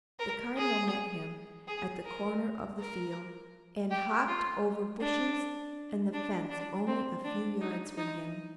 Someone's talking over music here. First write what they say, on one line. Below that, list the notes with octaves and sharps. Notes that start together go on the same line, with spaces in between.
The Cardinal met him at the corner of the field, and hopped over bushes and the fence only a few yards from him.
A#4
G#4
G#4
A#4
A#4
G4
F4
D4
D4
D4
C4
D4
D#4
D#4